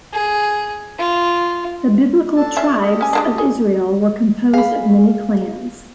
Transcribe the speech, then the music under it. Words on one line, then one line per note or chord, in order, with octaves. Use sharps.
The Biblical 'tribes' of Israel were composed of many clans.
G#4
F4
D4 A4 A5
C#4 F4 E5
G4 A4 D#5
C#4 G#5
G#3 A#3 D4
G#4
G#4 F5 B5